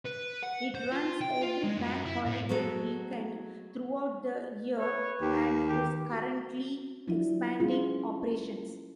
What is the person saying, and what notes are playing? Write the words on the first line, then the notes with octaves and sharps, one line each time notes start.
It runs every bank holiday weekend throughout the year and is currently expanding operations.
B4
F#5
C5
F4
G5
F4
G#3
F#2
E4
A2
F#3 G#3 A3 B3 A4
B4 C#5
D#2 G4
D#3 G4
F#4
F3 F#3 D4 E4
G#3 C#4 F4 G#4